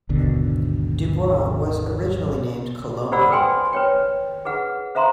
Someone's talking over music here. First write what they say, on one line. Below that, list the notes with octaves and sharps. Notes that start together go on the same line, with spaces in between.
Du Bois was originally named Coloma.
G#1 D#2 B2 D3
G4 C5 D5 F#5 B5 E6
A4 B4 G5 G#5 C6
B4 C#5 G5
G#4 B4 F#5
C5 E5 F5 A#5 C6